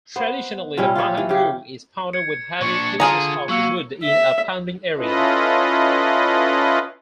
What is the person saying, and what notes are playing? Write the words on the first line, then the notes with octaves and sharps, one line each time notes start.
Traditionally the mahangu is pounded with heavy pieces of wood in a 'pounding area'.
B3 C5
A#2 G3 C#4 E4
F4 G4 C#5 E5
E3
C#3 G4
G#6 C#7
A#2 D4 C#6
D3 F4 G#4 A#5 D#6
F#3 A#3 C#6 E6 C#7
E5
C#4 E4 F4 A4 B4 D#5